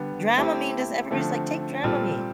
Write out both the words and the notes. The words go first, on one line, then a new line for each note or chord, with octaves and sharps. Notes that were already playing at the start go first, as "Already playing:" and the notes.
Dramamine does everybody's like, "Take Dramamine."
Already playing: D3 G3 B3
A3 C4 E4 G4
D3 F3 A3 C4
A#2 G3 C4 F4 A4